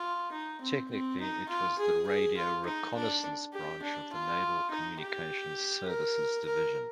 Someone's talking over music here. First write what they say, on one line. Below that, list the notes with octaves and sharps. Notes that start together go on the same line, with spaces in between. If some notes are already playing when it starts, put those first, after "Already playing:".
Technically it was the Radio Reconnaissance Branch of the Naval Communications Services Division.
Already playing: F4
D#4
C4
C4
D#4
F4
G#4
G#4
F4
D#4
D4
G4
D4
F4
D#4
G4
A#4
A#4